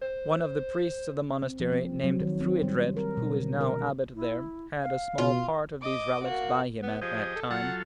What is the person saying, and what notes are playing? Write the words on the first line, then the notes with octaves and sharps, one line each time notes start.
One of the priests of the monastery, named Thruidred, who is now abbot there, had a small part of these relics by him at that time.
C5
C4
F3
C4
F#3
D#3
C4
G3
A#4
B2
D3
A#4
E4
F5
B2 F4
D#5 D6
A#3 F#4
B3
F3 G4 G#4 D#5
A4
F#3 F4 A4 F#5